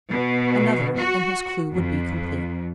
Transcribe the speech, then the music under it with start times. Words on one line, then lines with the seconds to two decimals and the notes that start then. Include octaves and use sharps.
Another, and his clue would be complete!
0.10 B2
0.98 F#4
1.72 F2